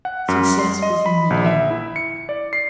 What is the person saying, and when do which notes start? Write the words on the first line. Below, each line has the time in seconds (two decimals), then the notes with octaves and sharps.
Success was in the air.
0.05 F#5
0.28 F#2
0.59 C6
0.82 D#5
1.06 B5
1.30 A#1
1.46 E5
1.71 E4
1.96 C#7
2.29 D5
2.53 C7